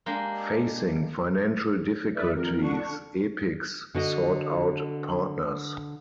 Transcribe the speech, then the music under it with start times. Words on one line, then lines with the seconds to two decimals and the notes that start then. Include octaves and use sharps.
Facing financial difficulties, Epyx sought out partners.
0.06 G#3 A#3 D4 G4
2.16 B4 D5 E5
2.36 F2 A#4
2.62 D3 D4 C#6
3.94 D3 F#4 D#5